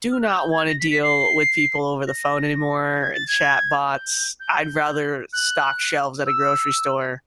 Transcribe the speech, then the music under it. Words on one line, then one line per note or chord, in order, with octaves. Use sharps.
do not wanna deal with people over the phone anymore chatbots, I'd rather stock shelves at a grocery store.
F6
F#6
G6
G#6
A#6
B6
B6
C7
A#6
G#6
A6
G#6
G6
G6
F#6
E6